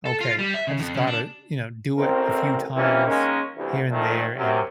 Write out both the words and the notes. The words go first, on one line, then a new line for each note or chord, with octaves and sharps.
"Okay, I just gotta," you know, "do it a few times here and there and,"
A4
F4
G3
E5
C#3
F2
C#3
D4
A1 C4 A#4
E3 F3 G3 A#3 C4 C#4
D#3 G#3 A#3 C#4
D2 C3 E3
A#2 D#3 F3 A3
F#2 C3